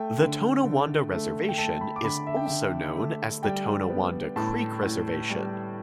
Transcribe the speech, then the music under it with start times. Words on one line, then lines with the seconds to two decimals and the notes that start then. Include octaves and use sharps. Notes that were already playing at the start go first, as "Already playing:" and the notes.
The Tonawanda Reservation is also known as the Tonawanda Creek Reservation.
Already playing: A3 G5
0.18 D3
0.64 D3
1.11 A3
1.49 G5
1.58 A3 A5
1.81 B5
1.96 D6
2.04 D3 B5
2.27 E5
2.37 G5
2.46 D3 E5
2.97 A3
3.43 G3 G5
3.90 B3
4.36 A2 A5
4.83 A2
5.30 G3